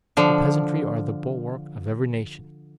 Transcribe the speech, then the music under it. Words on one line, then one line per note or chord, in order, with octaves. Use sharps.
The peasantry are the bulwarks of every nation.
D3 F3